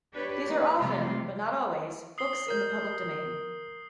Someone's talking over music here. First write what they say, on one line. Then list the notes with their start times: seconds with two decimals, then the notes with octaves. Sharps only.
These are often, but not always, books in the public domain.
0.13 D4 G4 B4 C#5
0.45 A#3 B4
0.78 C3 E3 G3 A3 F4
2.18 D#6 C7 G7
2.48 A#4 G6